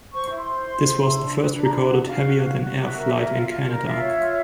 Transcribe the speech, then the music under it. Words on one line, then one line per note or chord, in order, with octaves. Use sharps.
This was the first recorded heavier-than-air flight in Canada.
C5 C#6
E4
C6
C5
E4
C5
E4
D4
B4
D4
A#5
B4 B5
D4 F#5
F#4 F5
F#4
F#4
F#4
F#4 E5
A#4
A#4
F4
F4
A#4
F4 E5
C#5
F4